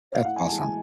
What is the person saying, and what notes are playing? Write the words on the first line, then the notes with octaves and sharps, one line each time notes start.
That's awesome.
F5
A2 F#5
G#5
E3 G#3 A5
G#5